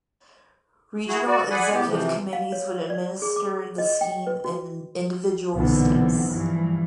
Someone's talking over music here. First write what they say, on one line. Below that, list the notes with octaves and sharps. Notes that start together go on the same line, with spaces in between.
Regional executive committees would administer the scheme in individual states.
E4 F#4 G#4
F#4 D5
G#4 D5 F#5 G#5 B5
A2 B3 G4
C3 E3 F3
F5
C#5
D5
G#4
D6
D#5
G5
B4
F#4
B1 A#2 D3 E3 B3 C4
G2 E3 F3